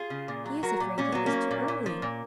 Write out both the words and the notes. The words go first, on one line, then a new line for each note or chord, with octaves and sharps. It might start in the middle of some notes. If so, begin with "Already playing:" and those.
"He is afraid he is too early!"
Already playing: F4 G#4
C#3
A#2
F#3
F#3 F#4 A#4
A#2
A#2 C#4
F#3 B3
A#3 C#4
F#3
A#2
A#2
F3
A#2